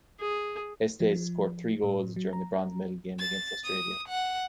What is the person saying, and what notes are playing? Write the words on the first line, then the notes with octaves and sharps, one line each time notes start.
Estes scored three goals during the bronze medal game against Australia.
G#4
F3
A2
F#3
A#5
A6
D#6
F#5